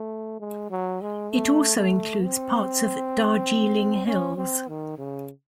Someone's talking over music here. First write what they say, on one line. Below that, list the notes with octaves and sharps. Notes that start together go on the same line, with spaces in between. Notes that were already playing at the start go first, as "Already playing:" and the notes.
It also includes parts of Darjeeling Hills.
Already playing: A3
G#3
F#3
G#3
A3
A3
C4
C#4
C4
D#3
C#3